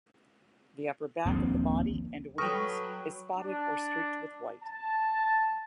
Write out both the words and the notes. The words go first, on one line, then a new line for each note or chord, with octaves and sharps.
The upper back of the body and wings is spotted or streaked with white.
D#1 A#1 D#2 C4
F#3 A4 B4 G5 C#6 D#6 F6 A#6
D4
A5